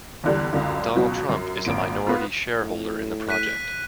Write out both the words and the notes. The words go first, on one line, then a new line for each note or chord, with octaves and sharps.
Donald Trump is a minority shareholder in the project.
E2 D3 G3
C#2 F#2 D3
C#2 B2 F#3
F#2
G#1 A#2 D7
B3 F4
A2
F#6 B6 D#7